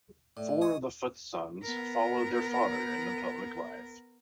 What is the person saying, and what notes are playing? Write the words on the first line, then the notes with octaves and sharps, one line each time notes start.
Four of the Foots' sons followed their father into public life.
A2 D5
D#5
G#5 C#6 D#6
B3 A#4